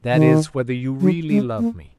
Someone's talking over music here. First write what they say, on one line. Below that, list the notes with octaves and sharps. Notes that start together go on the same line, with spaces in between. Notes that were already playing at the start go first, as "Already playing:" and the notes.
"That is, whether you really love me?"
D#3
F#3
G#3
A#3